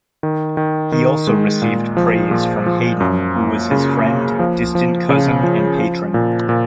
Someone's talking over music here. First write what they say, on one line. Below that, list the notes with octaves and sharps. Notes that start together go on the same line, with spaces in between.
He also received praise from Haydn who was his friend, distant cousin and patron.
D#3
D#3
D#3
G#3
A#2
F3
A#2
F3
F#2
A#3
C#3
A#3
F3
F3
C#3
F3
F3
A#2
A#2